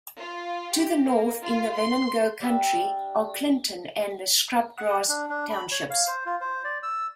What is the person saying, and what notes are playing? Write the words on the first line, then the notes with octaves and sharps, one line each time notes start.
To the north, in Venango County, are Clinton and Scrubgrass townships.
F4
G4
A#3
F4
C6
G3 D4 E5 G5
F#5
D4
D4
B5
C#5
F5
C5
F4
C5
D5
E6